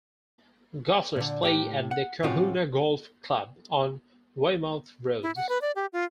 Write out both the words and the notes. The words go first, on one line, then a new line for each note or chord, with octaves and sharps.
Golfers play at the Cohuna Golf Club on Weymouth Road.
A#2 D3
A2 G4
F#5
A2 C#3 F3 C4 F4 F#4
E4
F#5
B4
D5
G4
F4